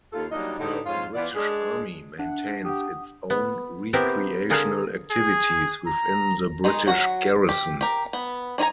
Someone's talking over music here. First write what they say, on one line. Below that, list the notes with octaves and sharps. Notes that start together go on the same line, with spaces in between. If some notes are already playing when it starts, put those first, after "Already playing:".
The British Army maintains its own recreational activities within the British Garrison.
D#2 F4 A4
F#3 G3 A#3 D4 D#4 D#5
A2 D3 G3 D#4
F2 G#2 C#4 F4
E3 B3 F4 D5
G#3 D4 G#4
D4 E5 F#5
G4 F#5 D#6
B3
B3 C4 E4 G4 A#4
D3 F4 G#4 A#4
G#4
A#5
D#3 G#3 D#4
F#3 F#4 G#4 F#5
G4
G4 A#4
B3
D4 D#4 C#5 G#5 A#5